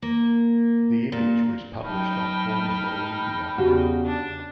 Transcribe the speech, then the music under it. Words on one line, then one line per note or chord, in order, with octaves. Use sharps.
The image was published on Ornithomedia.
A#3
A#2
F#3 D#4 G5 A5 B5 F6
E2 C#3 F#4 G4
D4